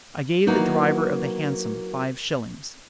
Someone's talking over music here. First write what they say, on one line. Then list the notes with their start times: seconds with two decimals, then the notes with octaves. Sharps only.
I gave the driver of the Hansom five shillings.
0.47 F#3 A#3 B3 D#4 E4